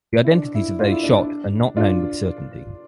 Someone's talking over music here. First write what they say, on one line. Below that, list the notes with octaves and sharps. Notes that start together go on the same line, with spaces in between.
The identities of those shot are not known with certainty.
E4
D4
E4
D4 F4
E4
D4
D4
D4 F4